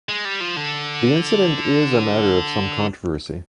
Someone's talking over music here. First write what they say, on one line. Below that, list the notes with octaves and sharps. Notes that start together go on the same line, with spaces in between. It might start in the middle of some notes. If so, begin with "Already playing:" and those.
The incident is a matter of some controversy.
G#3
G3
F3
D3